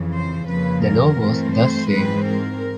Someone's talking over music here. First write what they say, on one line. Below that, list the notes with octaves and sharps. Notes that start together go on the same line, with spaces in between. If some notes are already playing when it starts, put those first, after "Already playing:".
The law was thus saved.
Already playing: F2 C#3 E3
C5
F2 C#3 F3 A#3 B4
A#4
G2 E3 A3 C4
C5
G#2 E3 G#3 C4 B4
A#4